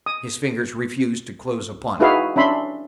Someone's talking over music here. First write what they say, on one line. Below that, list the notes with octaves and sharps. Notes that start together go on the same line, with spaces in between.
His fingers refused to close upon it.
D#6
D#4 E4 F#4 G#4 B4 F5
C#4 D4 E5 B5 C6